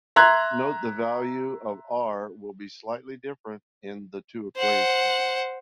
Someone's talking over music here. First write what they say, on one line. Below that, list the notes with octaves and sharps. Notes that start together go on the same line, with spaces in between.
Note the value of r will be slightly different in the two equations.
E5 A#5 C6 F#6 G#6
C5 F#5